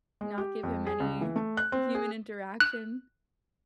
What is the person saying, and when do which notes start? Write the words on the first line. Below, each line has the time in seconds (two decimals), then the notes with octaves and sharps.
not give him any human interaction.
0.21 G#3
0.38 G4
0.63 F2
0.87 G#4
1.00 C#2
1.21 E3
1.36 A3
1.57 F#6
1.72 C4
1.95 G#4
2.60 F#6